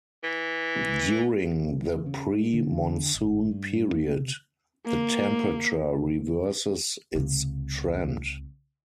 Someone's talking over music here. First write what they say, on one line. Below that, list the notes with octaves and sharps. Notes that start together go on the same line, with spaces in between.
During the pre-monsoon period, the temperature reverses its trend.
E3
E3
C#3
G#3
D3
G1
G2
A#3
C3
A#3
C#2 C3